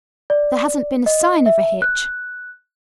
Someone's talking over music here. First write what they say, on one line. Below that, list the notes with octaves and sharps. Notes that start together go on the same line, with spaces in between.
There hasn't been a sign of a hitch.
D5
D#5
E5
F#6